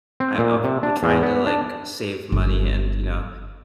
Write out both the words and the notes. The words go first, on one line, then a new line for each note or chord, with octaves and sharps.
I I'll be trying to, like, save money and, you know,
C4
A#2
C3
D4
E2
B3
D4
G1